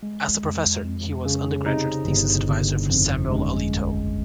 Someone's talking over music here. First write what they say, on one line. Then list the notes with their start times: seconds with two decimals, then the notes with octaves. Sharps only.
As a professor, he was undergraduate thesis advisor for Samuel Alito.
0.03 G#3
0.44 F2
0.85 F2
1.25 C#3
1.66 C3 D#4
2.07 G1
2.49 G1
2.89 F2
3.30 G#3 C#4
3.72 A#1